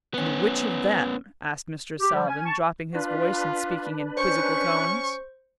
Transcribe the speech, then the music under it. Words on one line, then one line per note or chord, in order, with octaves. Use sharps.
"And which of them ...?" asked Mr. Salvin, dropping his voice and speaking in quizzical tones.
B3 C#4
G4
F3 G3
C#4 G#5
A5 C#6
D4 F4 B4
C#4 C5 C#6 G6